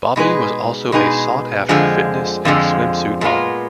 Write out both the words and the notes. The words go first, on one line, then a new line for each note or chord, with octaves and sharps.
Bobbie was also a sought-after fitness and swimsuit model.
B2 G#3 D#4 G#4 B4
B2 G#3 D#4 G#4 B4
F2 D3 F3 G#3
F2 D3 F3 G#3
A#2 G#3 B3 F4